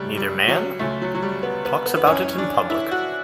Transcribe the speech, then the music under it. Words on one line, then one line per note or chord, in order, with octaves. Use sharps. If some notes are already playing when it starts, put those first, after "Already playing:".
Neither man talks about it in public.
Already playing: C#2 C#3 F#3 G3 A3
G3
F#3
C#2 C#3 F#3 A3
F#3
F#3
G3
B3
B3
B3
B3
F#2 E3 C#4
D4
E4
F#4